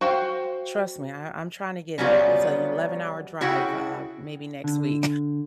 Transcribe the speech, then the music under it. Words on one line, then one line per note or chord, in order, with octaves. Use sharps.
trust me, I I'm trying to get there. It's on eleven hour drive, uh, maybe next week
F#4 C5 F5 G5
C#3 F#3 G3 B3 F4 F#4
C#3 E4 F#4 F#5 G5
D3